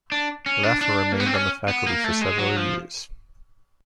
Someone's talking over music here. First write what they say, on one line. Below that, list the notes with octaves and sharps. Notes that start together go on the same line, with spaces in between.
Laffer remained on the faculty for several years.
D4
C#4
D4
D4
A#3
B3
C4
C#4
B3
A#3
A3
G#3
F#3
F3